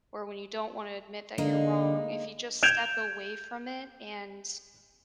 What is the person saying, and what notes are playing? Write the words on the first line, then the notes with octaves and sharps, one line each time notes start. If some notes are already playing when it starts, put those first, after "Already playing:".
or when you don't wanna admit that you're wrong, if you just step away from it and
D3 G#3 A#3 D#4
G6 G#6 D7 E7 F7